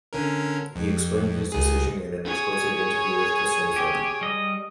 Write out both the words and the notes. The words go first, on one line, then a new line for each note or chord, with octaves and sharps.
He explained his decision in an exclusive interview with Cricinfo.
D3 C#4 A#4
F2
C#2 G#4
G#4 C#5
G4
G3 D#5